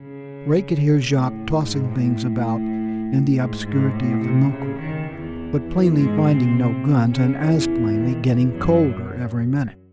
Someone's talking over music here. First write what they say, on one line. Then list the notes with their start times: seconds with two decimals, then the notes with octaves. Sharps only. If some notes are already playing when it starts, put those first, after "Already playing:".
Ray could hear Jacques tossing things about in the obscurity of the milk-room, but plainly finding no guns, and as plainly getting colder every minute.
Already playing: C#3
1.03 A2
1.61 G#2
1.90 A2
3.35 G#2
3.63 G#2
3.92 A2
4.22 C3
4.49 C#3
4.79 D#3
5.08 E2 E3
5.66 E2 E3
5.95 G#2 G#3
6.23 C3 C4
7.10 C#3 C#4
7.40 E2 E3
7.97 D#3
8.27 E2 E3
8.56 F#2 F#3